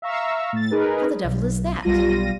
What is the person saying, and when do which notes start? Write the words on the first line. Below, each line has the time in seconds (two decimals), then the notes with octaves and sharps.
"How the devil is that?"
0.02 E5 F5 A#5 C#6 E6
0.53 A2 A6
0.71 D#4 G#4 A#4 B4
1.24 B1
1.83 B1 G3 F4 A#6 D#7